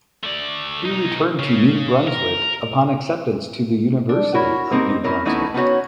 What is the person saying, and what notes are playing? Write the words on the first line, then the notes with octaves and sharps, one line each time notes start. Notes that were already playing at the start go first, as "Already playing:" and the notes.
He returned to New Brunswick upon acceptance to the University of New Brunswick.
A3 D5
B1 D#4
C#3
A#4
D4
E4 F#4 A#4 C#5
A#3 C4 D#4 G4 A#4
C#4 D#4 E4 A#4 C#5
E3 A3 B3 C#4 D#4 E4
B3 C#4 D#4 F4 F#4 C#5